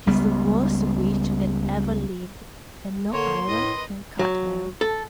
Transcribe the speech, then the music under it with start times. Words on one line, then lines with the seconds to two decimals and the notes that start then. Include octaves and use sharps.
She is the worst witch that ever lived, and no iron can cut her.
0.07 C#2 G3 B3
3.12 D3 A#3 C#5 C6
3.48 A2 B4 D#5
4.19 F#3
4.81 A4